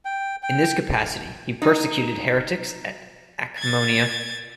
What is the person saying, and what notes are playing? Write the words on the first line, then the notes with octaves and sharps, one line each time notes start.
In this capacity he persecuted heretics at Akmoneia.
G5
G5
D#4
G#6 A6